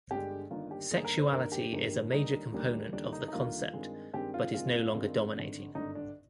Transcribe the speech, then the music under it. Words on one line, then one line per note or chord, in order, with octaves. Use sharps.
Sexuality is major component of the concept but is no longer dominating.
G1 G2 D3 G#3 G4
G1 G2 D#3 A#3 F4
G4
G1 G2 D#3 A#3 G#4
A#4
C5
G1 G2 D#3 A#3 A#4
G4
G1 G2 D#3 A#3
D#2 D3 G3 A#3 D#4
D#2 D3 G3 A#3
D#2 D3 G3 A#3 D4
D#4
D#4
D#2 D3 G3 A#3 F4
G2 D#3 G#3 C4
G2 D#3 G#3 C4 G4
F4
G2 D#3 G#3 C4 F4
G2 D#3 G#3 C4
G#1 G2 D3
G#1 G2 D3 D#4
D4